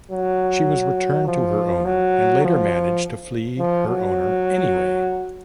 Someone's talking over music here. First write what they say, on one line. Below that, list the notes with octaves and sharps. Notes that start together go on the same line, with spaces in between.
She was returned to her owner and later managed to flee her owner anyway.
F#3
F3
F#3
F3
F3
F#3